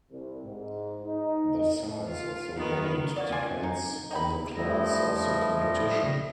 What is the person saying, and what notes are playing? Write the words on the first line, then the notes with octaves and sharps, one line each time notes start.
The size of the weight depends on the class of the competition.
C2
G#2
D#4
D#5
F4
D#3 B3
A#3 F#4 D5
F4 D5 G#5
D#4
D#4 G5 B5
F3 G3 A3 E4 D#5